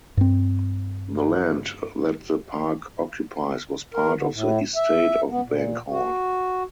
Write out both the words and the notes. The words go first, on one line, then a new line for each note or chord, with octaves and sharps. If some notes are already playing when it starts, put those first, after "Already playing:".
The land that the park occupies was part of the estate of Bank Hall.
G2 C4
A#4
D3
A2
E5
B3
A#2
F#4